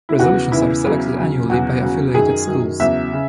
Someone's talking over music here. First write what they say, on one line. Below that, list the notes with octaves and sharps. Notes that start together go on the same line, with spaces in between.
Resolutions are selected annually by affiliated schools.
E4
E2 C#3 E3 F#4
E2 C#3 E3 E4
E2 C#3 F#3
E2 C#3 F#3
E2 C#3 F#3 F#4
E2 C#3 F#3
F#2 D#3 F#3 G#4
F#2 D#3 F#3
E2 C#3 F#3 E5
C#3